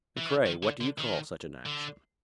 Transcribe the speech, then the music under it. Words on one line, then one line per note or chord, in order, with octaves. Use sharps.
"And pray what do you call such an action?"
E3
D#3
D#3
D3
D3
D#3
D3